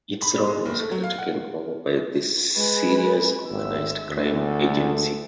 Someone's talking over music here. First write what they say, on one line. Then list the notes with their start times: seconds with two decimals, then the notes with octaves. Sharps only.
Its role was later taken over by the Serious Organised Crime Agency.
0.22 B5
0.34 G3
0.47 G#3
0.65 F#1
0.79 A3
0.91 F#3
1.04 F5
1.18 F#5
2.57 G#3 B4 G#5
3.50 G#1 E5 E6
4.10 D2
4.41 G#4 A4